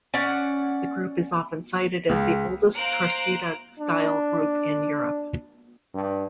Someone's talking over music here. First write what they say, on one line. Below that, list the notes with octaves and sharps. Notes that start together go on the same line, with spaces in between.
The group is often cited as the oldest torcida style group in Europe.
C#4 D5 F#5
C#2
C5 F5 A#5 F#6 D7
D4
G2